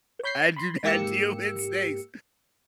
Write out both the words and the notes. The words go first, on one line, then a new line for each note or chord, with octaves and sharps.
I do not deal with snakes,
C#5 B5 G6 B6 C7
B5 C6
G#2 A#3 G4 E6 C#7